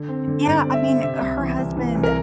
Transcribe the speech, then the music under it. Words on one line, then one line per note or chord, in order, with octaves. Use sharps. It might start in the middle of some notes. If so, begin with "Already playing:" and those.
Yeah. I mean, her husband
Already playing: D3
C4
D3
G2 D5
C4
E5
C4
C3 E5
C2
E3
C2
E3
C2
A#4